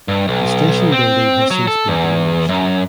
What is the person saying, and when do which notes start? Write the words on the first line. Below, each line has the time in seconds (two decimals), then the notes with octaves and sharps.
The station building has since been demolished.
0.08 G2
0.28 B1
0.92 C4
1.51 F#3
1.67 A4
1.88 E2
2.49 F#2